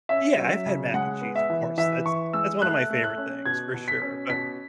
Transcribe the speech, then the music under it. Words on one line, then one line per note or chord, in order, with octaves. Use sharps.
Yeah. I've had mac and cheese, of course. That's that's one of my favorite things, for sure, but
C#4 E5
F#3
C#3
G#3 F#5
B3
E5
E3
E3 E5
E3 C#6
G#3 E6
A3 F#6
A3
F#6
C#4
B2 G#6
B2
B6
C#4
B2 B6